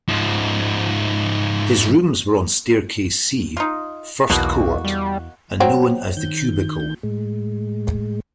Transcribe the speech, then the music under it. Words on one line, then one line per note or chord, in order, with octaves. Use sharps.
His rooms were on staircase C, First Court, and known as the 'Q-bicle'.
G#2 F3
D#4 F4
B1 E2 B2 A#3 F#4
G3
F#3 C4
D#3 G6
A2 G#3